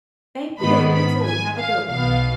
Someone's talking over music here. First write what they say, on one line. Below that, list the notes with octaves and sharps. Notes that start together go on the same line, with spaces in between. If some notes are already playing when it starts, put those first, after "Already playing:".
Thank you! You too. Have a good one.
G#2 D#3 B3 B5
B5
G#5
F5
B1 B2 B3 F5